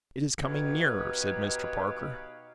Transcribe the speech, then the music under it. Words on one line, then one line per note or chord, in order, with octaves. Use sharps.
"It is coming nearer," said Mr. Parker.
B2 D#4 G4 B4 C#5 F5